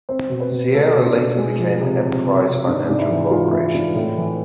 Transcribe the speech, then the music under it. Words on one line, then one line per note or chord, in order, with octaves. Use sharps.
Sierra later became Emprise Financial Corporation.
C4 C5
B2
B4
B2
A3 A4
B2
D4
B2
G#3
F3
C3
C3
C3
C3
G#2 D4
G#2 D4
E4
E3
G#2 F4
G#2 E4
G#2 D4
A2
E3